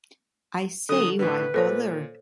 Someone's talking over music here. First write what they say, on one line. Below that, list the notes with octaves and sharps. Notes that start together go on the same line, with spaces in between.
I say, why bother?
D3 F#3 A4 D#6
A2 D3 B4
A#2 A4 C5 C#5